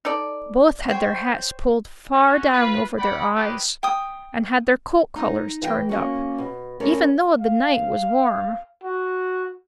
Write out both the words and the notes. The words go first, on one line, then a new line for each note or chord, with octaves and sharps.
Both had their hats pulled far down over their eyes and had their coat collars turned up, even though the night was warm.
D#4 A4 D5
C5 C#5 G5
C#4 F#4
F4 B4
D5 F#5 G5 B5
B3 D#4 E4 G4 B4 C5
G5 D#6
D#4
E3 D#5 F5 G5
A#3 C#4 F#4
B2
D2 C#4 E4 A#4 D5
F5
F#4